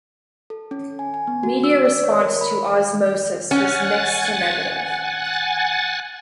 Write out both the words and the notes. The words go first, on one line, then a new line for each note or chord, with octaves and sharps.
Media response to "Ozzmosis" was mixed to negative.
A4
C#4
G#5
G#5
B3
F#4
E6
D5
C#5
A#4
B5
C#4 F#5 G#5 A6